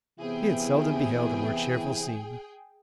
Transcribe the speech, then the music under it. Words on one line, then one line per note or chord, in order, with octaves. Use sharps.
He had seldom beheld a more cheerful scene.
C3 E3 B3 E4 G#4 G5